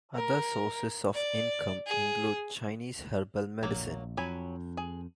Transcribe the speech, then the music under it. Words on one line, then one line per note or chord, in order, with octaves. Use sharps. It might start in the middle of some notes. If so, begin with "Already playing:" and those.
Other sources of income include Chinese herbal medicine.
A#4
D5
G#4
A#1 F#3 A#3
F2 F#3 G#5 B5
G#4